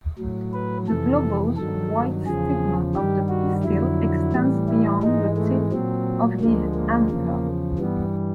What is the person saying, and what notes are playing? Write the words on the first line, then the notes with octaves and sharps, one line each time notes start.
The globose white stigma of the pistil extends beyond the tip of the anther.
A2 F#3
B4
F2 C3 E3 A4
G2 D#3 F#3 A4
E2 C#3 F3 G#4
G2 D#3 G3 G4
F#4
F2 D3 F#3 E4
A2 E3 G3
E4
G#2 E3 G#3 D#4
A3
A#2 F#3 C4
D2 D3 F3 G#3 A#3
A#3
E2 C#3 F3
G2 E3 G3 B3